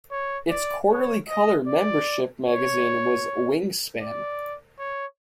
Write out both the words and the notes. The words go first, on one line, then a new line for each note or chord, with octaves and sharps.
Its quarterly colour membership magazine was "Wingspan".
C#5
D5
C#5
D#5
D5
C#5
D5
C#5